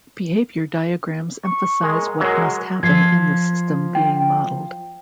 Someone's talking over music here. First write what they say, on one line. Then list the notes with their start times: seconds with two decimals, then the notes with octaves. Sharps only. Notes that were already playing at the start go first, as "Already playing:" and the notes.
Behavior diagrams emphasize what must happen in the system being modeled.
1.45 C#6
1.82 G#3 A#4
2.20 F#3 G#3 A#4
2.83 F3 G#6 C7
3.95 G5